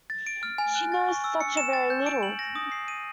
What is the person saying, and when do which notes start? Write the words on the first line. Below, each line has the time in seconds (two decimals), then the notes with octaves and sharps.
She knows such a very little!
0.10 A6
0.27 D7
0.43 F6
0.58 G#5
0.75 F#6
0.92 A6
1.09 C#6
1.24 E6
1.41 C#7
1.57 E7
1.73 A6
1.90 G6
2.07 D7
2.23 F#7
2.39 A#6
2.56 D#6
2.72 C7
2.88 D#7